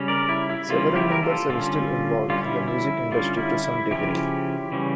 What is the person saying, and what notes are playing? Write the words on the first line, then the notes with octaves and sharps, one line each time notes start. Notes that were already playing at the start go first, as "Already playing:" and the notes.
Several members are still involved in the music industry to some degree.
Already playing: C#3 G3 C#4
A#4 D5
E4
E4
C#3 E3 G3 A#3 C#4 F4
E4 G4
A#4
F4 A4
D3 G3 C#4 F4
D3 G3 C#4 F4
E4
E4
D3 G3 C#4 F4
E4
E4
C#3 F3 C#4 E4 G4
C#3 E3 G3 C#4